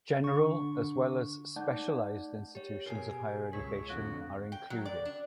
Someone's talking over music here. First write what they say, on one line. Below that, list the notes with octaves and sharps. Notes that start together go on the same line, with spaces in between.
General as well as specialized institutions of higher education are included.
D3 C#6
A3 D#4 D5 F#5 A5 G6
G4 C#5
B2 G4 G#4 A#4 G#5 C7
C#2 G#4 A4 C#5 B6
F2 A2 D3 F#4 F5
G5
F#3
D5
D4